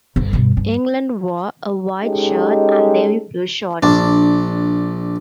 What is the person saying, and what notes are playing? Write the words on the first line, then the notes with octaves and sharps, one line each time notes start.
England wore a white shirt and navy blue shorts.
G1 D2
G2 B2
G2
G#3 C#4 D#4 G4 A4
A#1 D4